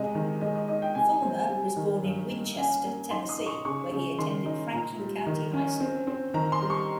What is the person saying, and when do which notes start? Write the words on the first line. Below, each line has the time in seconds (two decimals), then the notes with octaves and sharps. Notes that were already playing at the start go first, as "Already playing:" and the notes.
Fulmer was born in Winchester, Tennessee, where he attended Franklin County High School.
Already playing: C3 G#3 D#5
0.15 D#3
0.41 G#3 D#5
0.55 D#5
0.68 D#4 D#5
0.82 G5
0.95 C3 G#5
1.22 C4
1.49 G3
1.76 D#3
2.03 G2
2.30 A#3
2.57 C#4 G#5
2.84 A#3
3.11 D#4 C6
3.29 D#6
3.38 D#4
3.46 C#6
3.65 C#3 C#6
3.92 C#3
4.18 D#3 C6
4.46 D#4
4.72 A#2 A#5
4.99 G3
5.26 D#3
5.53 C#4
5.80 C4
6.07 C4
6.34 D#3 A#5
6.52 C6
6.61 G3
6.70 C#6